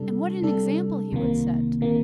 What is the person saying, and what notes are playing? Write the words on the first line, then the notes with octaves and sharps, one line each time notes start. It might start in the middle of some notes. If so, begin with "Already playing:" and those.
And what an example he would set!
Already playing: C3 G3 D4 A4
C3 G3 D4 A4
C2 C3 D#3 A#3
C3 D#3 A#3